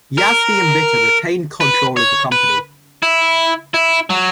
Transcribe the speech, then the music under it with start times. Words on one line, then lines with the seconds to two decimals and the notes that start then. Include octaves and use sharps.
Yazdi and Ritter retained control of the company.
0.18 A#4
1.61 B4
1.97 C#5
2.32 B4
3.03 E4
3.74 E4
4.10 F#3